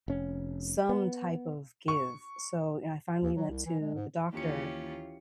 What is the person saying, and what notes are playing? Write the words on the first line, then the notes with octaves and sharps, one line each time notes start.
some type of give. So, you know, I finally went to the doctor,
F1 C#4
B3
C#6
D#2
F#3
C2
E3
G#3
G#2
D#2 E3 C#4 F4 G4 C#7